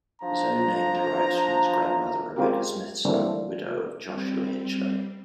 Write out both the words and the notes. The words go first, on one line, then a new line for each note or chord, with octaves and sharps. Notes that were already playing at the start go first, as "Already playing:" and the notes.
His own name derives from his grandmother Rebecca Smithson, widow of Joshua Hitchling.
F3 D4 A#5
G#3 C4 C#4 F4 G4 A#4
E3 G3 A3 A#3 C4 D4
G3 C4